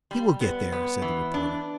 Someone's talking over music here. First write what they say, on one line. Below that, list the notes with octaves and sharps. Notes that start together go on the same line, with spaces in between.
"He will get there!" said the reporter.
G3
B3
B3
E3
D4